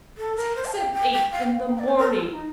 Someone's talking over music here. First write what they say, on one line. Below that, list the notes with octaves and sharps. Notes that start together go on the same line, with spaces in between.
Six and eight in the morning!
A4
A#4
C5
A5
G5
G5
G5
F5
G5
F5
G5
D5
C5
A#4
A4
F4
D#4